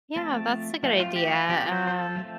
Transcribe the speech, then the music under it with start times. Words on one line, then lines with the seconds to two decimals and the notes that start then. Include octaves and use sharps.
Yeah, that's a good idea. Um,
0.16 F3 A3 C4 A5
0.83 F3 A3 C4
1.00 F4
1.16 G4
1.32 F4
1.49 F3 C4 G4
1.72 C5
1.87 C5
1.93 A4
2.16 F3 A3 C4